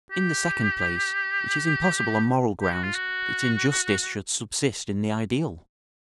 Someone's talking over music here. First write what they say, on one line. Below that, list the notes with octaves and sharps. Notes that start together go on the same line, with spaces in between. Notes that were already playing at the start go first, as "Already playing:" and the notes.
In the second place, it is impossible on moral grounds that injustice should subsist in the ideal.
G4
G4
F#4
F4
F#4